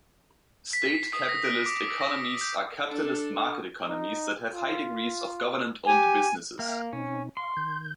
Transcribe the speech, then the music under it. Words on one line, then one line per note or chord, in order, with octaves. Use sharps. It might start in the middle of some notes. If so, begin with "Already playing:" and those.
State capitalist economies are capitalist market economies that have high degrees of government-owned businesses.
B6
C7
D#6
A#6
D7
D6
E6
A#6
G6
D4 A4
D#4
F4
G4 G#5
A#3 E5 G5 F6
B2 C4 C#4 D#4
F5 C6 C#6
D#3 G6